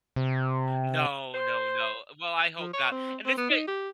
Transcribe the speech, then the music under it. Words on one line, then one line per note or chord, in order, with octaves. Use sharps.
No, no, no. Well, I hope not and this may
C3
C5
F3
C#5
C4
C4
B3
D#4
G4